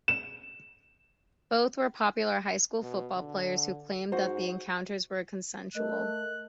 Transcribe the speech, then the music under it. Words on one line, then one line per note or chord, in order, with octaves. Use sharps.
Both were popular high school football players, who claimed that the encounters were consensual.
E7
B2
D3
G#2 F#4 C5
A3 A#4 D#5 F#6